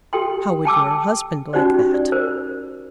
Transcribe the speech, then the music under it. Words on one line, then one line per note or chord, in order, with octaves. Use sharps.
"How would your husband like that?"
G4 A4 G5 C6
G5 A5 D6 E6
C#4 D#4 F#4 G4 C5 D5
D5
A#4 C5